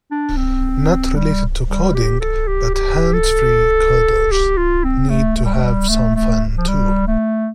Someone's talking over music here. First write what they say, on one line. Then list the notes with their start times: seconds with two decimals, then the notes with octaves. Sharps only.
Not related to coding, but hands-free coders need to have some fun too.
0.11 D4
0.37 C4
1.16 G3
1.68 G3
1.95 G4
2.21 A4
2.47 G4
2.74 G4
3.14 A4
4.32 G4
4.57 F4
4.84 C4
5.10 A3
5.37 A3
5.45 G3
5.54 A3
5.63 G3
5.89 A3
6.16 A3
6.57 F3
6.68 G3
7.07 A3